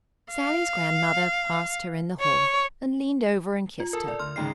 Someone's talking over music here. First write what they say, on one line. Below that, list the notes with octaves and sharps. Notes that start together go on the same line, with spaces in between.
Sallie's grandmother passed her in the hall and leaned over and kissed her.
F5
C#5
F4
A4 A#4 A5
D5
D2 C6 F6
C#2 G#2 D#3 D#4 G5 C7